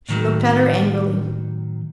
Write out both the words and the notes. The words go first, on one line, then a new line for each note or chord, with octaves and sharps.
She looked at her angrily.
A2 D#3 F#3